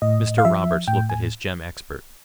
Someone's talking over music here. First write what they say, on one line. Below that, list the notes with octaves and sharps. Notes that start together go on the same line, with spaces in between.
Mr. Roberts looked at his gem expert.
A2 D#5
F5
F3 E5
A2 G5
G#5